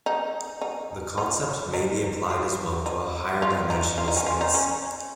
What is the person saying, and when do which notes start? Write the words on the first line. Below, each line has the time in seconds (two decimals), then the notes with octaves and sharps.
The concept may be applied as well to a higher-dimensional space.
0.06 D#4
0.61 D#4
1.18 D#4
1.74 D#4
2.30 F4
2.86 D#4
3.42 F4
3.70 D#4
3.98 F4
4.08 D#4
4.17 C#4
4.26 F4
4.41 D#4
4.54 C#4